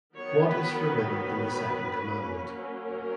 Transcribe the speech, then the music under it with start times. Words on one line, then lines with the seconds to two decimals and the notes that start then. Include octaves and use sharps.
What is forbidden in the second commandment?
0.15 D#3 F#3 B3 C#5
0.45 B4
0.75 B4
1.05 B4
1.95 F#3 A#3 C#4
2.84 A#4